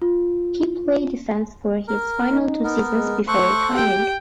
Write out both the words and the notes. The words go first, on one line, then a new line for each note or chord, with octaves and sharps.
He played defence for his final two seasons before retiring.
F4
A#4
D#4
B3 A#4
G#3
A3 A4 C5 C#6 F#6
G4 G5